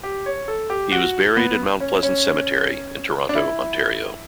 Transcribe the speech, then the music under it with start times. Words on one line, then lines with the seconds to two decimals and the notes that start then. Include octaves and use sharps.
He was buried at Mount Pleasant Cemetery in Toronto, Ontario.
0.03 G4
0.26 C#5
0.48 A4
0.70 G4
0.92 F#4
1.37 B3
1.80 C#4
2.03 C#4
3.29 D4
3.35 E4